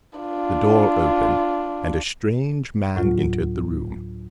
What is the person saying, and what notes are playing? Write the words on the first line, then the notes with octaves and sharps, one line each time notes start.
The door opened, and a strange man entered the room.
D4 F4
D2 A2 F#3 F4